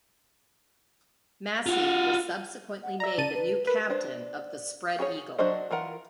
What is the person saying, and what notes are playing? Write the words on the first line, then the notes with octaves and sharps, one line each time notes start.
Massie was subsequently made the new captain of the "Spread Eagle".
F4 F#4
F#5
D5 E5 A#5
C#3 A5 D#7
B4
A#4 B4
D4 C5
F#4 G#4 A4 C#5
F#3 D4 F#4 C5 D#5
E3 F4 A#4 F#5